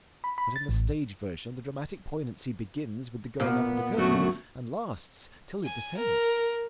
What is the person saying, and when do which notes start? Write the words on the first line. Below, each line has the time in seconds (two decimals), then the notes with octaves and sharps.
But in the stage-version the dramatic poignancy begins with the going up of the curtain, and lasts till it descends.
0.24 B5
0.38 B5
0.56 A6
0.69 A1
3.40 A#2 B3
3.97 F#2 D3 A3 F#4
5.63 G#5
5.97 A#4